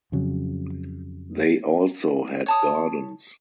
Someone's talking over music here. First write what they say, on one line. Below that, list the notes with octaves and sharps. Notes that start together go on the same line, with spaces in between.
They also had gardens.
F2 C#3 F#3
C#5 A5 D#6